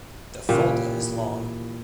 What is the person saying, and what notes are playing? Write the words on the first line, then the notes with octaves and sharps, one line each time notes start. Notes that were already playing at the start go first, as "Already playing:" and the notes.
The Fulda is long.
A#2 C#3 E3 G4